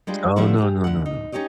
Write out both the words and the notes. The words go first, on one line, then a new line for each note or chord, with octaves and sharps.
Oh, no, no, no, no.
G3 G#3 D4 F4
D3 F3 G3 A3 B3 E4
G4 G#4
D2 F#5
D#4
C#4 D#4 G4 C#5 D#5